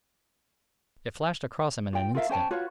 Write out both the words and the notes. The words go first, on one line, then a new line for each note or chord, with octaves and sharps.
It flashed across him in an instant.
F4 G5
F4 A#4 E5 F5
C#4 C5 G5 A5
F4 F#4 B4 C#5